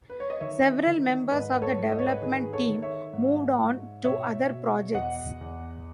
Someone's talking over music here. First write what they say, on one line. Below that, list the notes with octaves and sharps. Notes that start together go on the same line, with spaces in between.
Several members of the development team moved on to other projects.
B4
C#5
D#5
D#3 C#5 E5
D#3
G#2 B4 D#5
B4
A4 C#5
G#2
D#5
C#5
B4 D#5
D#3 G#4 B4
A4 C#5
D#3
C#5 E5
G#2
G#2
B2 C#5 E5
B2
E2 D#5 F#5
E2